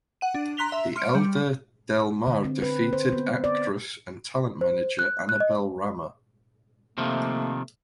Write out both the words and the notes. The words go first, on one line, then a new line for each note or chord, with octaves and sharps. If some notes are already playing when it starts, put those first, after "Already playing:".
The elder Del Mar defeated actress and talent manager Annabelle Rama.
F#5 D#7
D4
A#5 C6 F#6 B6 F7 G7
E5
C6 F6 C#7 D7
G3
D3
C4
B4
C5
B3
D5
C5
F#6
F#6
D#5
C3 D#3 F3 A3 A#3